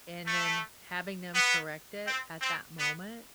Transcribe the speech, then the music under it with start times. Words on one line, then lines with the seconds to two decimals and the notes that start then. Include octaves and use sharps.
and then having them correct it at that moment,
0.27 A3
1.35 B3
2.06 C4
2.41 C4
2.78 B3